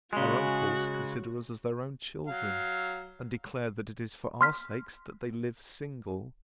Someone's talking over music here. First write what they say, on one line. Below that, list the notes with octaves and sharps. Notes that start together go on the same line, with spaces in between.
Our uncles consider us as their own children, and declare that it is for our sakes that they live single.
C#3 G#3 F#4
F#3 F5
C6 F6 B6